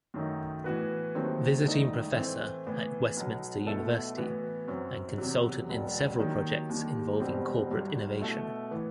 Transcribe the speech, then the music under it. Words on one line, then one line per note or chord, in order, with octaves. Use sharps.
Visiting Professor at Westminster University and consultant in several projects involving corporate innovation.
F#2 D#3 F#3 A3 D#4
A2 E3 B3 F#4 B4
D#2 D#3 F#3 A3 C4
E1 E2 D#3 A3 D#4
A2 E3 A3 C4
A2 E3 B3
B1 B2 F#3
B1 B2 A3 E4 A4
A2 E3 B3 F#4
F#2 F#3 C4
E2 C3 F#3
E1 E2 B2 F#3
D#2 D#3 F#3
D#2 D#3 G3
E1 E2 B2 G3 C4
G1 G2 F#3
B2 A3 E4 A4
A2 E3 B3